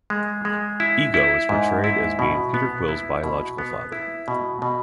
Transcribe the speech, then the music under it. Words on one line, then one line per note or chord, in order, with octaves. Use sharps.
Ego is portrayed as being Peter Quill's biological father.
G#3
G#3
E4
E4
G#2
E4
B2
B3
E4
B2
B3
E4
B2
B2